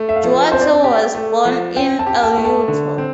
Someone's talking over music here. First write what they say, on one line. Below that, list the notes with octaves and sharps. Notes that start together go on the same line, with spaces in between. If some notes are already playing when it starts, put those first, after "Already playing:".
Duarte was born in El Yuto.
Already playing: A3
E5
F5
F3
C4 C5
D5
G4
A3
F3
C4 G5
A5
G4
A5
A3
A5
D3
C4